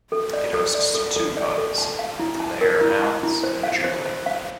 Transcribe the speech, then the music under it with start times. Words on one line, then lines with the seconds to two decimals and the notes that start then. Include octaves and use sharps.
It hosts two pubs: the Hare and Hounds, and the Jubilee.
0.12 A4
0.33 D5
0.54 A4
0.75 D5
0.95 A4
1.16 A4
1.37 D5
1.58 A4
1.78 A5
1.99 F5
2.20 E4
2.40 A5
2.61 A#4
2.81 E4
3.02 A5
3.23 E4
3.43 C5
3.63 F5
3.84 C5
4.06 C5
4.26 F5